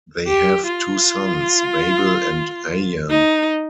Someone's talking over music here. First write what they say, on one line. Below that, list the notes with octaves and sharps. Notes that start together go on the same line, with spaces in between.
They have two sons, Babil and Ayan.
G4
F4
D#4